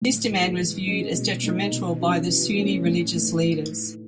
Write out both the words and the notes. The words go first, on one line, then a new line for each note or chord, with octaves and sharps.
This demand was viewed as detrimental by the Sunni religious leaders.
A2
E3 G#3
E3
G#3 C#4
B2
A3 D#4
B2
F#3 C#4
E3
A3 C#4
A2
E3 A3 D#4